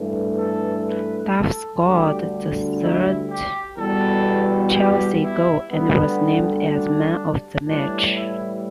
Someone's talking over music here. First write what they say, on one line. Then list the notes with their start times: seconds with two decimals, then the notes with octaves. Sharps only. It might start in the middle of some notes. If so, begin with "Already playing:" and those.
Duff scored the third Chelsea goal and was named as Man of the match.
Already playing: G2 E3 A3
0.37 A4
0.86 B4
1.35 A4
1.83 D2 D3 G3 G4
2.80 E4
3.29 G4
3.77 E2 B2 G3 A4
4.74 G4
5.22 E4
5.70 D2 D3 G3 B3
6.67 D4
7.64 A2 E3 G3 D4
8.13 E4